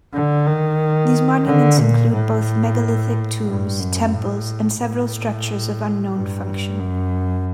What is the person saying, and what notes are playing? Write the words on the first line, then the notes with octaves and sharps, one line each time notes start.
These monuments include both megalithic tombs, temples and several structures of unknown function.
D3
D#3
D3
A#2
A2
G2
F#2
A2
A2
G2
F#2